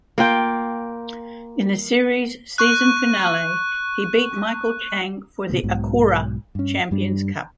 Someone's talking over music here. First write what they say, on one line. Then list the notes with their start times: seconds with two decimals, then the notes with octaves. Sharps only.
In the series season finale, he beat Michael Chang for the Acura Champions Cup.
0.18 A#3 F4 G5
2.58 C#6 F#6
5.49 A#2 C#3 A3 B3
5.63 B1 G#2 B2
6.55 G2 C#4
6.91 G2 G3 D4